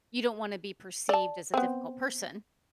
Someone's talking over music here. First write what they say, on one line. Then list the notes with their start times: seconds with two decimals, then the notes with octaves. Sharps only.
you don't wanna be perceived as a difficult person.
1.09 D5 A5
1.54 B3 C4